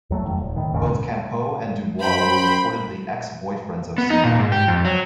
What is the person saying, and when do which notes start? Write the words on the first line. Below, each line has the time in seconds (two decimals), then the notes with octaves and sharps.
Both Campeau and Dubois were reportedly ex-boyfriends of Simard.
0.10 E2 F#3 A3
0.25 F1 F2 D#3
0.40 D#1
0.56 A2 D#3
0.73 F#1 D#2 G#2 C#3
2.02 F#2 C5 G5 B5
3.98 B3
4.10 D#4
4.24 A#2
4.39 G#2
4.52 G4
4.68 F2
4.85 F#3